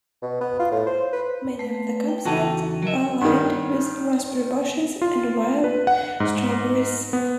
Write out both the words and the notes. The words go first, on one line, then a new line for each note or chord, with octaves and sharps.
Many of the campsites are lined with raspberry bushes and wild strawberries.
B2
B3
F4
A2
C5
B4
A3 B4
G5
E2 C#3 D#4 F#4 A4 A5
F#3 A#4 D#5 E5
G2 D#3
F4
B4
F#5
G#2
B3